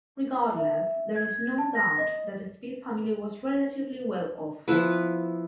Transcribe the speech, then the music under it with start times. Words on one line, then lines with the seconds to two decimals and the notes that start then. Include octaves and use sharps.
Regardless, there is no doubt that the Speed family was relatively well-off.
0.56 E5
1.16 G#6
1.58 A5
1.75 A#6
1.98 D#5
4.68 F3 B3 E4 B4